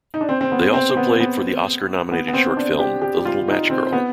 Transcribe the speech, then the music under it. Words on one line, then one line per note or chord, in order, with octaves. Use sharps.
They also played for the Oscar nominated short film, The Little Match Girl.
D#4
D4
C4
C4
B3
C4
B3
B3
B3
B3
C4
D4
G4
G4
G4
F4
D#4
C4
B3